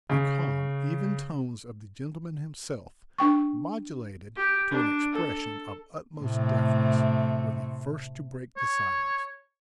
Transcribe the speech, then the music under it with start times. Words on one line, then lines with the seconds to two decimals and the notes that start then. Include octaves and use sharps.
The calm even tones of the gentleman himself, modulated to an expression of utmost deference, were the first to break the silence.
0.10 C#3
3.18 D4 G5 C#6
4.36 G4
4.71 D4
5.12 A4
6.20 A2 C3 A3
8.57 C#5